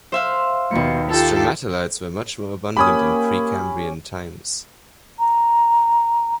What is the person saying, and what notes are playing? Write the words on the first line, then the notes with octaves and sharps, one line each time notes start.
Stromatolites were much more abundant in Precambrian times.
C5 E5 F5
D#2 B2 C#7
F4 G4 A4
A#3 C#4 G4 B5 D#6
A#5